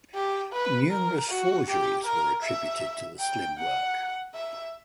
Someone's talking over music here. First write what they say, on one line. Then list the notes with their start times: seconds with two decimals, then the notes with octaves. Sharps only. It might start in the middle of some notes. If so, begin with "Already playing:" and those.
Numerous forgeries were attributed to the slim work.
0.14 G4
0.53 B4
0.91 A#4
1.29 F#4
1.68 G4
2.05 A#4
2.43 E5
3.19 G5
3.58 F#5
4.35 E5